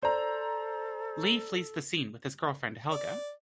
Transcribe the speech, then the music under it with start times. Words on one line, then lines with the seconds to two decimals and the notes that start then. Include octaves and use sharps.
Lee flees the scene with his girlfriend Helga.
0.03 A4 C5 D5 A#5
2.91 D5